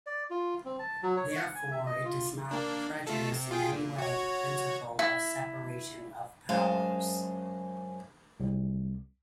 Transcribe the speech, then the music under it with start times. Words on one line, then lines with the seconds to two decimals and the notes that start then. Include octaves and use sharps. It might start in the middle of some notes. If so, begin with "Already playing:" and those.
Therefore, it does not prejudice in any way the principle of separation of powers.
0.06 D5
0.30 F4
0.65 C4
0.79 A5
1.03 F#3
1.17 C#5
1.36 F#5
1.55 G#5
1.72 E5
1.86 D#5
2.05 F4
2.51 A#3 D4
3.07 A3 F4 A4
3.32 C3
3.51 F4 G#4 G5
3.72 A#2
3.98 F#4 C#5
4.99 E4
6.49 F#2 G#3 C5 F5 A5
8.40 C2